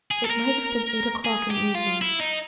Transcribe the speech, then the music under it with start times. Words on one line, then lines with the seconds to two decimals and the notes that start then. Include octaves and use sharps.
It might have been eight o'clock in the evening.
0.11 G#4
0.24 A4
0.30 A#4
1.25 G#4
1.51 G4
1.75 F4
2.01 E4
2.20 D#4